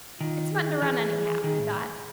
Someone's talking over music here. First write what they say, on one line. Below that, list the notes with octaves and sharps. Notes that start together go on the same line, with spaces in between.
"It's fun to run, anyhow," he thought.
D#3 F4
G#4
E3 G#4
D#3 G#4
A2